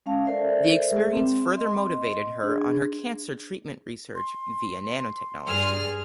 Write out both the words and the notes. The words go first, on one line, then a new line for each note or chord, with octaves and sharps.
The experience further motivated her on her cancer treatment research via nanotechnology.
G#3 C#4 F5 A5
A4 A#4 C5 D5 E5
G#3 G#4 A#4 E5
C4
D#5 C6
D4 G#4
C6
C6
G2 G#4 F6